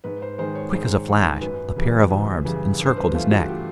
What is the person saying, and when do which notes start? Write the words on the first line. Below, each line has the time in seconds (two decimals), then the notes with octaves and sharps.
Quick as a flash a pair of arms encircled his neck.
0.04 G#2 B4
0.22 C5
0.38 D#3 G#3 C5
0.55 C#5
0.73 G#2 C5
1.07 D#3 G#3
1.41 F#2 B4
1.76 C#3 E3 G3
2.10 F#2
2.45 C#3 E3 G3
2.80 G2
2.86 C5
2.97 B4
3.13 E3 A3 F4
3.32 F#4
3.49 G4